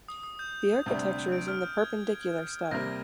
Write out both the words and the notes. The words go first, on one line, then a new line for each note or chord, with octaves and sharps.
The architecture is in the perpendicular style.
D#6
D#6
G6
D2 C3 G3 D4
D7
F6
G6
G#6
C3 G3 A#3 A#6